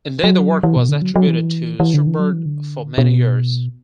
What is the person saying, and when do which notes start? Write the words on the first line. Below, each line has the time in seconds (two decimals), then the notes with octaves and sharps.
Indeed the work was attributed to Schubert for many years.
0.24 F#3
0.63 E3
0.77 B2
0.89 D3
1.02 F#3
1.16 F#3
1.28 E3
1.80 E3
1.94 D3
2.07 E3
2.19 F#3
2.33 E3
2.46 D3
2.98 B2